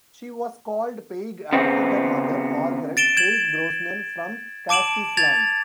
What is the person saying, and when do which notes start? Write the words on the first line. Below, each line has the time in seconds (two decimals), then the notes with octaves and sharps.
She was called Peig after her mother, Margaret "Peig" Brosnan, from Castleisland.
1.53 C#3 B3 C4
2.97 A6 D7 E7 G7
3.17 G#6 E7 F#7
4.69 A5 D6 D7 E7 F#7
5.17 G#6 A6 F7